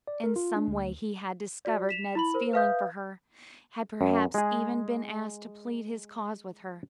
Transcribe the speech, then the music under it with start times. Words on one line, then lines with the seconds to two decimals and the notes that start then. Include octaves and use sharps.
In some way he had discovered Ned's feeling for her, had perhaps even been asked to plead his cause with her.
0.07 D5
0.24 A#4
0.36 F4
0.56 D4
0.68 D2
1.65 F#4 D5
1.89 B6 E7 F7
2.15 E4 B5 F#7
2.34 A#4 C5
2.53 B4 E5 F5 D#6 G6
4.01 F#2
4.34 G#3 G#4